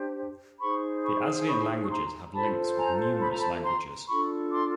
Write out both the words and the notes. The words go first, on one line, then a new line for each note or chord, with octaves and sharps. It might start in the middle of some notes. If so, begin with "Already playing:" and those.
The Aslian languages have links with numerous languages.
Already playing: D4 G4 C5
D#4 G#4 C5 B5 C#6
B5 C#6
B5 C#6
C#6
A#5 C6
F4 A4 C5 A5 B5
G#5 A#5
B5
A#5
A5 B5
A#5 C6
D4 F4 A4 B5 C#6
C6 D6